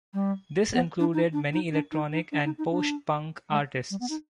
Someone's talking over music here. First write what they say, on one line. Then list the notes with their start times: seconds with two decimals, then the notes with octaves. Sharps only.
This included many electronic and post-punk artists.
0.14 G3
0.74 B3
1.00 D4
1.13 D#4
1.33 D4
1.53 D#4
1.72 D4
1.92 D#4
2.12 D#4
2.32 D4
2.45 D#4
2.58 D#4
2.71 D4
3.50 G#3
3.90 G3
4.00 B3
4.10 D#4